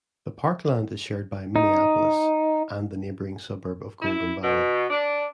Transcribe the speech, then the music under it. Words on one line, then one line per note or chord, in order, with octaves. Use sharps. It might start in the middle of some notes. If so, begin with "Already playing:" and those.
The park land is shared by Minneapolis and the neighboring suburb of Golden Valley.
D#4
E4
B2
D4